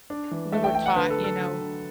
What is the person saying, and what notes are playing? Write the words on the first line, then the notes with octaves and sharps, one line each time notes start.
we were taught, you know,
D4
E3
A3 E5
G5
A3 G5
F#5
D3 B4
A4
F#3
A4
D3
D3